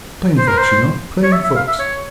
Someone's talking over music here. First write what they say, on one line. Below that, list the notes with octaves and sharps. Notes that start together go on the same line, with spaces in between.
Plain folks, you know--plain folks.
C5
A#4
C5
C#5
E5
E5
F5
E5
C#5